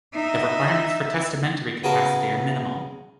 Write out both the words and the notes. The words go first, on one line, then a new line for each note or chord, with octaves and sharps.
The requirements for testamentary capacity are minimal.
D#4 E5
C#3 B3 F#4 G#4 A#4 A5